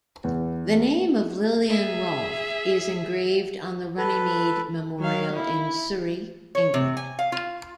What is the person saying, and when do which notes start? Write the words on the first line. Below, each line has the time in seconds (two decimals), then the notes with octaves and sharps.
The name of Lilian Rolfe is engraved on the Runnymede Memorial in Surrey, England.
0.24 E2
1.69 G#4 E5
3.98 A4 B4
4.99 F#3 F5
5.33 E4
6.55 C#5
6.74 C3
6.97 G#5
7.19 F5
7.32 F4